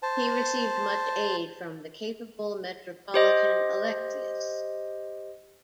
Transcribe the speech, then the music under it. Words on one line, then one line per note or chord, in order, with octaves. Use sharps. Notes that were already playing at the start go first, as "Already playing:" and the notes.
He received much aid from the capable Metropolitan Alexius.
C5 A5
G4 C5 D#5